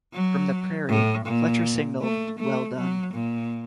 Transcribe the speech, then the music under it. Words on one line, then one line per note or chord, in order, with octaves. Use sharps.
From the "Prairie", Fletcher signaled "Well done".
F#3
A2
A#2
A3
A3
F#3
A#2